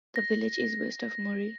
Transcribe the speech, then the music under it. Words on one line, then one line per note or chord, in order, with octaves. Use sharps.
The village is west of Muri.
A#6